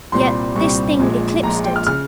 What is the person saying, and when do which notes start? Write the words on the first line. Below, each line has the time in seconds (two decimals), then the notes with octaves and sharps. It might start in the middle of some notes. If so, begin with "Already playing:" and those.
Yet this Thing eclipsed it.
0.12 C2 A#2 G3 C4 C6
0.56 C2 A#2 G3 C4 C#6
1.00 A#1 A#2 G#3
1.43 A#1 A#2 G#3 A#5
1.65 G5
1.76 F6
1.87 C#3 F6